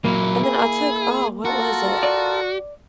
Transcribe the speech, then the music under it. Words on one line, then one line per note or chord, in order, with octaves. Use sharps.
And then I took Oh, what was it?
A#2 F#3 A#3 E4
G#4
F4 F#4 A4 A#4
D5